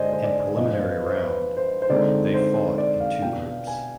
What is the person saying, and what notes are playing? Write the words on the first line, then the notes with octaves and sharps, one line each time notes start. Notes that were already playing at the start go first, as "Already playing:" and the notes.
In preliminary round they fought in two groups.
Already playing: G2 D3 G#3 D4 C5 D5 D#5 G#5
C5
D5
G2 F3 B3 F4 D#5
C5
B4
C5
B4
C5
C5
D3 G#3 C4 D#4 D5
C5
D5
F5
B2 B3 D4 F4 G5
F5
G#5